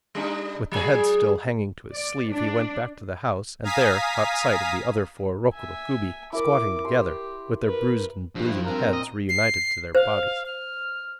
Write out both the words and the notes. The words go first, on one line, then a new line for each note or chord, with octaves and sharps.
With the head still hanging to his sleeve he went back to the house, and there caught sight of the other four Rokuro-Kubi squatting together, with their bruised and bleeding heads reunited to their bodies.
G3 D4 D#4
F#3 G#4
D5
D4
F5 G#5 A#5 D#6 B6
E5 G#5
E4 A#4 D5 D6
G4 C6
A#4 B4
G2 F3
E4
C4 A#4
A#2
D#5
C7
C5 F5
F6